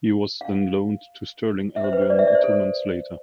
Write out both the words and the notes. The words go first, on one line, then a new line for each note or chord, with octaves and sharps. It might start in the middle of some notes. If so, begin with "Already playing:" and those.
He was then loaned to Stirling Albion two months later.
F5
E5
C5
B4
C5
D5
E5
D5
C5
A4